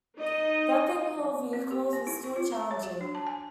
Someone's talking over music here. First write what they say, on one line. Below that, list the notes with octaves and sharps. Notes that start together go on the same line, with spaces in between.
Wrapping whole vehicles was still challenging.
D#4 D#5
C4
G4
B3
E4
C#6
F4
A#5
C#5
F#4
D4
A5
G#5